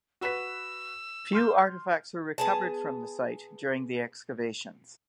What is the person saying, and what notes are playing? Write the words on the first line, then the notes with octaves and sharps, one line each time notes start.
Few artifacts were recovered from the site during the excavations.
F#4 B4 E6 B6
C6 F6 G6
B3 G#4 A5